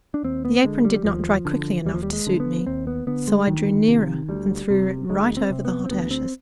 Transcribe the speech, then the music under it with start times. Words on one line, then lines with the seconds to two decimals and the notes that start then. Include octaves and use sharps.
The apron did not dry quickly enough to suit me, so I drew nearer and threw it right over the hot ashes.
0.14 D4
0.24 D#2 C4
0.45 B3
0.65 D3 G#3
0.85 G3
1.04 D#2 F3
1.45 D3
1.86 D#2 G3
1.94 F3
2.03 G3
2.13 G#3
2.27 D3
2.40 B3
2.67 D#2 C4
2.87 B3
3.07 D3 B3
3.28 G#3
3.47 D2 D#3
3.88 C3
4.29 D2 G3
4.70 C3
5.09 D2 G#3
5.37 C4
5.50 C3
5.65 B3
5.86 C4
5.91 D2 B3
6.11 C4